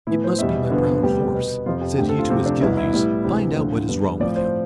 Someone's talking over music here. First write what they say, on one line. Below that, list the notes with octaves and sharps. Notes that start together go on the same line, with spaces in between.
"It must be my brown horse," said he to his gillies; "find out what is wrong with him."
A2 E3 B3 E4
C5
E2 B2 G3 E5
E2 D3 F3 B3
D2 C3 G3 B3 G4
B2 B3
F2 C3 F3 F4
G4
D2 D3 A3 C4 G4
A4
F4
D2 C3 F3 A3 C4
D4
C2 B2 B3 E4
E4
A2 G3 B3 E4
D2 C3 E3
D2 D3 F3 A3 C4
G2 D3 G3 B3
A2 F3 C4 D5
C5